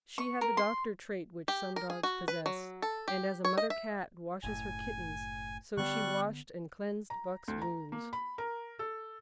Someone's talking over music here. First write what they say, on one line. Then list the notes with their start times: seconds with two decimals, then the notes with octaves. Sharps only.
She had the doctor trait which some dogs possess; and as a mother cat washes her kittens, so she washed and cleansed Buck's wounds.
0.18 C#6
0.41 A#4
0.57 C6
1.48 G4
1.76 A#4
1.90 G#4
2.03 F#4
2.28 B4
2.46 F#3
2.82 A4
3.08 G4
3.45 C#5
3.58 D#5
3.70 E5
4.43 F#1 A2 G#5
5.77 D3 G3 B3 C#6 F#6
7.10 A#5
7.48 D2
7.62 A#5
7.92 A#3
8.13 B5
8.38 A#4
8.79 A4